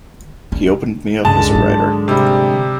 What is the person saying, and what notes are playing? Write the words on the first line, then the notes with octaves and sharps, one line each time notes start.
He opened me up as a writer.
D4
C#2 G2 D3 G#3 A5
G#2 F#3
C3 G3